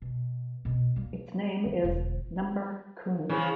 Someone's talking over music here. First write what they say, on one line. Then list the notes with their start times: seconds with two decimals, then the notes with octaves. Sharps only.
Its name is Number-kun.
0.02 B2
0.65 B2 C4
0.96 G3 A#3
1.65 D#3
1.84 E1 D3
3.29 C#3 E3 F3